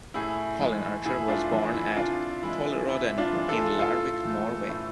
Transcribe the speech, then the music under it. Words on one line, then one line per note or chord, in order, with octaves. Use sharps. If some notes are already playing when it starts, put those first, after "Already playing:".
Colin Archer was born at Tollerodden in Larvik, Norway.
A2 E4 G#4
E3 G#3
A2 E4 G#4
D4 F4
E3 G#3
E4
C3 D4 F4
E3 G#3 E4
C3 E4
D4 F4
E3 G#3
F4 A4
A2 F4 A4
E3 A3
A2